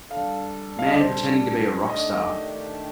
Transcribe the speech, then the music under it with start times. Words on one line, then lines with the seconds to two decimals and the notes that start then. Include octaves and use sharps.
Man pretending to be a rock star.
0.10 G3 D4 A4 F5
0.79 F5
0.86 D#5
0.93 D5
1.00 C5
1.89 D#3 A3 D4 G4 D#5